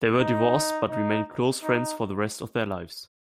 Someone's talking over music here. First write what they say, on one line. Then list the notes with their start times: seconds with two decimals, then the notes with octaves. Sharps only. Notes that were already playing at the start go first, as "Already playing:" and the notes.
They were divorced but remained close friends for the rest of their lives.
0.18 D#4
0.90 D#4
1.63 D#4